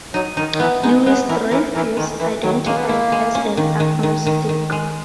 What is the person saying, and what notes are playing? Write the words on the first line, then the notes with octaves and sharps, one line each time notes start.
Louis-Dreyfus identified as an agnostic.
F#3 D#4
D#3 D#4
D#3
E3 B3
G#3 D#4
G#3 B3
E3 A#4
E3 A#4
E3 A#4
D#3 G#3
E3 E4
D#3 F#3
G#3 A#3
B3
A#3 E4
G#3
C#4
D#3
D#3
D#3
D#3
D#3
G#3